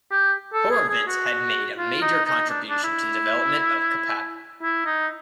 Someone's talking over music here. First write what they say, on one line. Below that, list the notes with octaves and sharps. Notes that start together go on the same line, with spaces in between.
Horovitz had made a major contribution to the development of Kapap.
G4
A4
G#4
G#4
F#4
F4
D#4
D#4
D4
D4
E4
E4
D#4